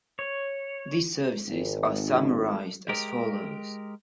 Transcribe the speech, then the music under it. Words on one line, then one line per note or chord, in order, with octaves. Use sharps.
These services are summarised as follows.
C#5
G#1
G#3 G4 A#4